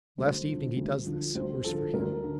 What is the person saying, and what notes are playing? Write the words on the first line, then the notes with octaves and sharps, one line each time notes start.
Last evening he does this. Worse for him!
D2 C5
D3 F3
D2
D3 F3
D2 C5
D3 F3 A4
D2 A#4
D3